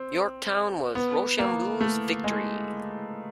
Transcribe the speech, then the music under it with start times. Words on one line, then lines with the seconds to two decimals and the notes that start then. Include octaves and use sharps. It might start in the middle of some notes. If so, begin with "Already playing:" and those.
Yorktown was Rochambeau's victory.
Already playing: C4
0.95 B3
1.39 A#3
1.81 A3
2.24 G#3